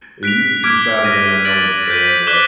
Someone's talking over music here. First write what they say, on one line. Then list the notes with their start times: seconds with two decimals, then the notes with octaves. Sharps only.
It used to be Saturday when I was growing up.
0.23 F#6 B6 D7 F7
0.63 D6 F6 G#6 B6 D7
1.04 F6 A#6 D#7
1.45 A6 D7 F#7
1.86 G6 B6 D#7
2.27 D6 F#6 B6 E7 G7